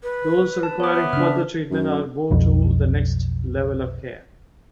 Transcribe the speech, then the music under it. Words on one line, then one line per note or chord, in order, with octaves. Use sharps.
Those requiring further treatment are moved to the next level of care.
B4
A5
B3 C#5 D6
E5
C#3 D4 F6
F#2
B1 F2